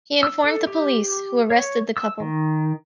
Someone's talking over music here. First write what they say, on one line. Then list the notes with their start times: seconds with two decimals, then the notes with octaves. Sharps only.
He informed the police, who arrested the couple.
0.23 E6
0.44 A4
0.67 G4
1.50 C#5
1.97 E6
2.20 D#3